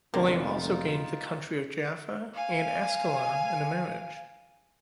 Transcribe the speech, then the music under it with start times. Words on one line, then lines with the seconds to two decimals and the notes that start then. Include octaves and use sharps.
William also gained the County of Jaffa and Ascalon in the marriage.
0.14 F1 B1 D3 A#3 C4 D#4 F4
2.34 F5 G#5